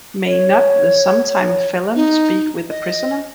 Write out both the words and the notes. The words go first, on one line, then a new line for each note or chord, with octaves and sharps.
May not the sometime felon speak with a prisoner?
C#5
D#4
D#5